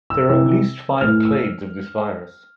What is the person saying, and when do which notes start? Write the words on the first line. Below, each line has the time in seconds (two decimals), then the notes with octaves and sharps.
There are at least five clades of this virus.
0.10 E6
0.29 C3 E3 E6
1.01 A2 E3 F6
1.25 E6